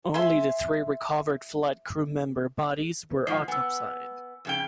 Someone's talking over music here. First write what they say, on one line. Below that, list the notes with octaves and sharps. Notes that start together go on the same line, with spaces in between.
Only the three recovered flight crewmember bodies were autopsied.
E5 G#5 C6
B4 C5
G#2 F3 C7
B3 G#5 E6
F2 C#3 G5